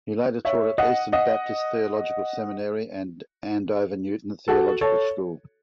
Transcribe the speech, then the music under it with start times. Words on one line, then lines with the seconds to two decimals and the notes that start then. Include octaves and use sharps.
He later taught at Eastern Baptist Theological Seminary and Andover Newton Theological School.
0.45 C#5 E5
0.78 D#5 F#5
1.13 D#5 F#5
4.48 F#4 A4
4.81 A4 C#5